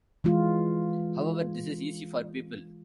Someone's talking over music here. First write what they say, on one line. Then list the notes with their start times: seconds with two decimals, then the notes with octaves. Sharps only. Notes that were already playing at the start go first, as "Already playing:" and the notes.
However, this is easy for people.
0.24 E3 G#3 F4